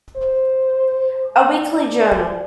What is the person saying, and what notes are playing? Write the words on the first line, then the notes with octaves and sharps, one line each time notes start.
A Weekly Journal.
C5
D5